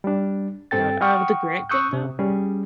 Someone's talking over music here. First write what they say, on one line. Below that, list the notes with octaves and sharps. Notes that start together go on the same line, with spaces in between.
God, uh, with the Grant thing though,
G3 D4
G2 C4 A4 G5 A6
F#5 G5 C#6 D#6 F6
C#6 D#6 E6 F#6 G6
C3
G3 C#4 G#4